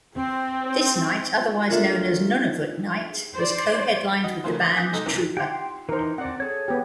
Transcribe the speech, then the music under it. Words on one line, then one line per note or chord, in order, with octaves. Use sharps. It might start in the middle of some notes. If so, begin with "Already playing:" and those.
This night, otherwise known as "Nunavut night", was co-headlined with the band Trooper.
C4
A3 D4 F4 A#4
C5 D5
F#4 D#5
C#3 E3 A3 A#3 F4 C5
D6 D#6 F#6 G6
G#5 D6 D#6 F#6 G6 A#6
C3 G#3 D#4 A4
B1 F#2 C3 E3
G4 F#5 G5 C6
E3 D#4 A#4 C5
C4 D5 F#5
G#4 A4 C#5
B3 G4